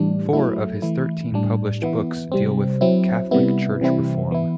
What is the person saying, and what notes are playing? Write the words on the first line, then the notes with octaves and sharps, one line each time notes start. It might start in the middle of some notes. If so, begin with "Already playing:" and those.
Four of his thirteen published books deal with Catholic Church reform.
Already playing: A2 E3 G3 D4
F#3 A3 E4
E3 A3 E4
A2 G3 D4
E3 B3 E4
C3 G3 C4
F#3 C4 E4
C3 G3 B3 E4
C3 E3 G3 C4 E4
E3 B3 E4